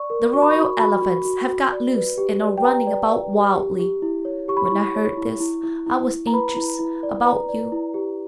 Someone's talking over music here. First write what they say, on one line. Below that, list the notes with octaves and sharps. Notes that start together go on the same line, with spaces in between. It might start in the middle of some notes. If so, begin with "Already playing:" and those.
The royal elephants have got loose and are running about wildly. When I heard this I was anxious about you.
Already playing: D5 C#6
A#4
F#4 C#6
B5
C#6
F#4
F#4 B5
F#4
F#4
F#4
D5
B4
G4
D5
G5
B4 A#5
D5
D5
G4
G4
G4
E4
C#5
G4 C#6
B5
C#6
E4
C#5
E4
E4
E4
E4
E4
A#5
B4 B5
E4
E4
D5
B4 A#5
D5
E4
G4